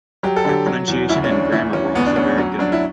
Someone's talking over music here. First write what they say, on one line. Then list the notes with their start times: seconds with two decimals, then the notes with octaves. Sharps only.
Their pronunciation and grammar were also very good.
0.23 F#3 G4
0.36 A4
0.45 D3 G4
0.66 F#3
0.88 E2
1.09 D2 E4
1.24 C#4
1.31 D2 D4
1.52 E2 E4
1.73 E2 C#4
1.95 D2 B3
2.06 D4
2.16 D2 C#4
2.38 F#3 C#4
2.59 F#3 D4
2.72 E4